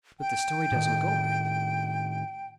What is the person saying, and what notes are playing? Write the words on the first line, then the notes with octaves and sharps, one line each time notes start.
But the story doesn't go right.
G5
A2 D#3